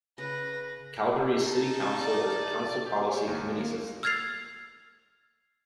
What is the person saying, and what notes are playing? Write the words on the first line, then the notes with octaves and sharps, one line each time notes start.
Calgary's City Council is a council-policy committee system.
C#3 B4 A#6
D#4 A5
D5
G4
C#5
D#2
A#3
E6 F6 G#6 A6 C7 F7